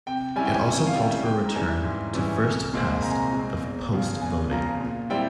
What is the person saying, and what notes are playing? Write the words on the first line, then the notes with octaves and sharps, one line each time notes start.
It also called for a return to first past the post voting.
C3 G5
G3 C#4 E4 G#5
G5
G#5
C3 G#5
F5
G3 C#4 E4 G5
G#2 G5
A#5
E3 G3 C#4 E4 G#5
G#2
E3 G3 C#4 E4
C2
A#2 G#3 C4
C2 A#5
G#5
A#5
A#2 G#3 C4
E2
C#3 F3
E2 G#5
C#3 F3 A#5
A#2
G3 C4 E4 G5